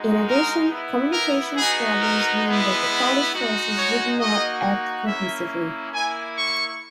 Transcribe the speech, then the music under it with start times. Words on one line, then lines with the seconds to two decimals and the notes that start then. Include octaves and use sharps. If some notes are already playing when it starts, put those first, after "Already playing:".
In addition, communications problems meant that the Polish forces did not act cohesively.
Already playing: G#3 D#4 F#4
0.26 A#4
0.70 B3 E4
1.13 A#4
1.56 B3 D#4 F#4 G#4
2.01 A#4
2.44 G#3 B3 E4
3.32 G#3 D#4 F#4
3.75 C#5
4.18 A#3 D#4 F#4 D#5
5.05 A#3 C#4 E4 E5
5.93 A#3 E4 G#5
6.37 C#6